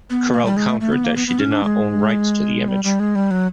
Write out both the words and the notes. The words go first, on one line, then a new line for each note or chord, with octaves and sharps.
Corel countered that she did not own rights to the image.
B3
A#3
G3
G#3
A3
A3
B3
A#3
B3
B3
C#4
D4
G#3
G3
G3
G#3
G3
F#3